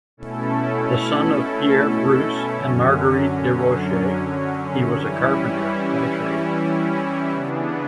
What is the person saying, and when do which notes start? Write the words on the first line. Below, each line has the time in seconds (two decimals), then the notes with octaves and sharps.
The son of Pierre Bruce and Marguerite Desrosiers, he was a carpenter by trade.
0.17 B2 A3 C#4 E4 A4
2.55 F#2 D3 F#3 C#4
4.93 E3 G3 C#4 E4
7.31 C#3 E3 B3 D4